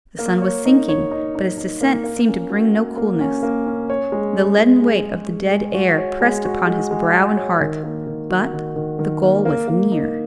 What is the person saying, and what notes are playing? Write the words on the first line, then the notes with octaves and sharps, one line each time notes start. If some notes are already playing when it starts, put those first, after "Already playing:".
The sun was sinking, but its descent seemed to bring no coolness; the leaden weight of the dead air pressed upon his brow and heart, but the goal was near.
A#3
C#5
D#4
C#5
D#4
D#4
D#4
A#3
A#3
C#4
F#4
A#3
A#3
C#4
A#3
C#4
C#5
G#3
G#4
G#3
G#4
G#4
G#3
G#3
F#4
C#5
G#3
F#4
G#3
G#3
F#4
C#5
D#3
A#3
D#3
F#4
D#3
D#3
D#3
A#3
A#3
A#3
D#4